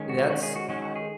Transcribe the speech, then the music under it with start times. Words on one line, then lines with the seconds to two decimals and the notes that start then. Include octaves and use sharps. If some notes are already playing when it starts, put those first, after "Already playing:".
that's I
Already playing: D#3 G#3 C#4
0.09 F#4
0.30 D#3 G#3 C#4 F#4
0.43 G#4
0.56 F#4
0.69 D#3 G#3 C#4 F#4
0.82 F#4
0.95 G#4